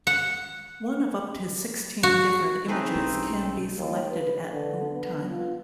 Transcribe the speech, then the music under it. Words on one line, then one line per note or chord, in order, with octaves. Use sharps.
One of up to sixteen different images can be selected at boot time.
F#5
F#4
A3 C4 D#4 G#4 B4
B1 G3 C#4
D#2
B4
D3
B3
F4